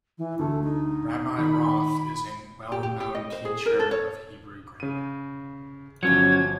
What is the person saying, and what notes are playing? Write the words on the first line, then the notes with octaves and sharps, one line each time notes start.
Rabbi Roth is a well-known teacher of Hebrew grammar.
E3
D2 A3
D#4
D#3 B5
G4
G4
G4
D#5
C5
G#4
A#4
A4
C#5
C#3 D#7
G1 F3 F#3 C#4 G#6 C#7